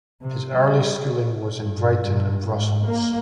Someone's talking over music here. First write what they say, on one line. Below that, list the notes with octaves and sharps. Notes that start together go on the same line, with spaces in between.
His early schooling was at Brighton and Brussels.
C3
G3
G2
G2
G#2
A#3